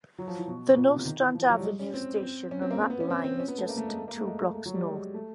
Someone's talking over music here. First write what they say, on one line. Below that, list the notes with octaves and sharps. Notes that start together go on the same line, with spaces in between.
The Nostrand Avenue station on that line is just two blocks north.
F#3
F3
E3
B2
B2
A#2
B2
C3
D#3
E3
F3
F#3
G3
G#3
C#4
C4
C4
C#4
C4
A#3
C4
B3
C#4
C4
C4
C#4
B3
A3
A#3
A3
G#3
A3
A#3
A3
G#3
A3
F#3
G3
G#3
A3